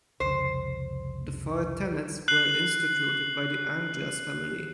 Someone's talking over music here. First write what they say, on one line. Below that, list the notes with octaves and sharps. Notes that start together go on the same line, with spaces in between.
The Four Tenets were instituted by the Andras family.
C2 F2 C#3 C5
F#6 C7 F#7